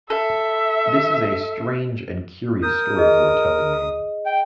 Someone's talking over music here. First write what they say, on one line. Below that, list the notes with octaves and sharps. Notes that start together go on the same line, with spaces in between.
This is a strange and curious story you are telling me.
A4 E5
A#4 D#6 G6
G#4 D#5
G5